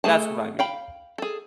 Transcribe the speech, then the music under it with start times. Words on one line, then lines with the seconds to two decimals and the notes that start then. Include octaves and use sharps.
That's what I mean.
0.04 A3 G#4 A5
0.59 F5 G5 B5
1.18 G#4 A4